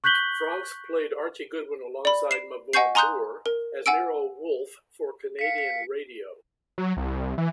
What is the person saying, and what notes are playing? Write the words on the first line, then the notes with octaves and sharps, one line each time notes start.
Francks played Archie Goodwin alongside Mavor Moore as Nero Wolfe for Canadian radio.
C#6 F#6 G6 B6 F#7 G7
D5 B5
C7 E7
D#5 F#5 G#5 C#6 G6 C7
G#5 A#5 C6 D#6 F#6 G6
A#4
F#5 G#5 E6 D7
F5 B6 C#7
B6 C#7
F#3
C2
E3